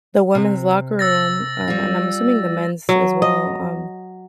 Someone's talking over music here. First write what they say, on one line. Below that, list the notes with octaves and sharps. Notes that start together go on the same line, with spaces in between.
The women's locker room, uh and I'm assuming the men's as well, um,
C3
E6 A6 A#6
G3 F4
F#3
D#5